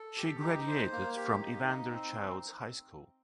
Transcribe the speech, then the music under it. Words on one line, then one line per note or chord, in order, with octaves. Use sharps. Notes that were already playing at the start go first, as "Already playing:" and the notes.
She graduated from Evander Childs High School.
Already playing: A4
G4
D#4
C5
A#3
G4
D#4
D#4
C4